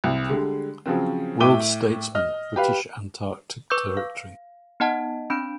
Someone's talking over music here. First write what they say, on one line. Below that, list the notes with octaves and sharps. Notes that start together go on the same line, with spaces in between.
World Statesmen: British Antarctic Territory.
C2
D3 G3 G#3
C#3 F3 F#3 C4
A2 E5 G5 D6 D#7 G7
D#5 F6
G4 B4 F5
B4 C#6 D6 E6 G6
F5
B3 D#4 D#5 F#5 A5
C4 D4 B5 G6 D7